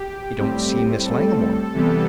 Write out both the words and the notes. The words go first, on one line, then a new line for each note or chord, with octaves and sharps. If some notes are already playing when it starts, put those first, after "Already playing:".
"I don't see Miss Langmore."
Already playing: G4
A2 G3 C4
A4
C3 E3 G3 B3